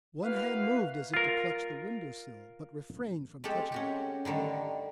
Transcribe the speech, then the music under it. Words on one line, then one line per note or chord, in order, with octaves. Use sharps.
One hand moved as if to clutch the window sill, but refrained from touching it.
A#3 E4 F#4 B4 F5
F4 A#4
G#3 A3 C4 G4 A4
C#4 F#4 G4
D3 D#3 G3 A3